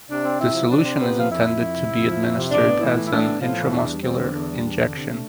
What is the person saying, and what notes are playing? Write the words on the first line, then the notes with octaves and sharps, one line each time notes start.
The solution is intended to be administered as an intramuscular injection.
C3 D4 D5
C4
C3 E4 E5
F3
C3 D4 D5
C4
C3 B3 B4
F3 F5
F2 E4 E5
F3
F2
C3
F2
F3
F2
C3
A2 D4 D5
B3
A2 E3 E4
E3
E4
A2 D4
B3
A2 F3 F4
E3
E2 D4
G3
E2 C4
D3
E2 D4
G3
E2
D3
C3
A3